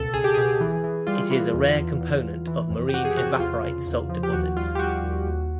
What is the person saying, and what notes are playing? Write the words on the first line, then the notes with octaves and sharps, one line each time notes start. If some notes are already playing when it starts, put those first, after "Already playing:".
It is a rare component of marine evaporite salt deposits.
Already playing: C#2 B2 A4
C#2 G#4
G4
B2 G#4
E3
E3
G3 F4
E3
E2
E2
E2
E2
E3
F2
G4
F2 F#4
G#4
G4
C3 F#4
F#4
E2 F4
C#3
E2
F3
G4
D#2 F#4
G3 F4
G4
G3 F#4
D#2
D#2